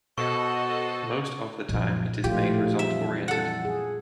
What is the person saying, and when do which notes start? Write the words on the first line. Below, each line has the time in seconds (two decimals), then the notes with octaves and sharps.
Most of the time it is made result oriented.
0.18 B2 F#4 A4 C5 D#5 C#6
1.69 F#2 A#2 F3
2.24 A2 F3 F4 G4
2.79 F2 E3 G3 E5
3.28 A4 F#5
3.65 G#4